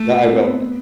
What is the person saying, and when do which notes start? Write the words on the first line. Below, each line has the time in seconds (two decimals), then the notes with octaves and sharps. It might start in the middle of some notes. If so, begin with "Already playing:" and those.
Yeah I will tha
Already playing: A3
0.30 C4
0.39 B3
0.46 C4
0.61 B3